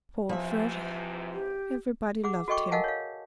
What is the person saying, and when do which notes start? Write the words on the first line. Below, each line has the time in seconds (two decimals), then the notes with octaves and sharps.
Poor Fred! Everybody loved him.
0.29 G#2 C3 E3 F3 E5
1.33 G4
2.24 G#4 F#5 D6
2.48 F#4 A4 D#5 G5 C#6 D6
2.71 A#4 D#5 F5 F#5 G#5 A5
2.84 C#5 F5